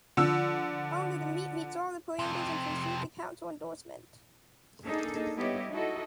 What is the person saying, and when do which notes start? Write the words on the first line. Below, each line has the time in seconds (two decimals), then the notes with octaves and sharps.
Only the meat meets all the parameters and can receive the Council endorsement.
0.17 D3 F3 E6
2.19 F2 C3
4.85 A#3 D4 D#4 G#4 A4
5.37 G3 B3 E4 G4 C#5 D#5
5.70 D#4 E4 F#4 A4 D#5